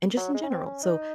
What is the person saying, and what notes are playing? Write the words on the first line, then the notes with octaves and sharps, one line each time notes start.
and just in general, so
F#3
G#3
C#4
C4
C#4
D#4